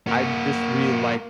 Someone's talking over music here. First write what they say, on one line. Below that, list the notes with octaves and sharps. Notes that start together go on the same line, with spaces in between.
I just really like
A#3 F#4